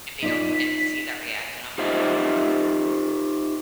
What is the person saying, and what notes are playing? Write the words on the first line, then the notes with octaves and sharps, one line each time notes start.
If they don't get to see that reaction off of people,
D#4 F4 D5 B6
D#4 F4 G4 C5 D#5 E5